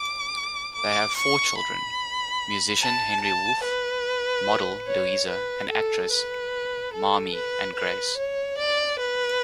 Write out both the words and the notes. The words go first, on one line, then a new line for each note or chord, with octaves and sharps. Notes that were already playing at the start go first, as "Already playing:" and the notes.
They have four children: musician Henry Wolfe, model Louisa, and actresses Mamie and Grace.
Already playing: D6
D6
C#6
B5
A5
A5
B4
C#5
B4
A4
B4
A4
B4
B4
C#5
D5
B4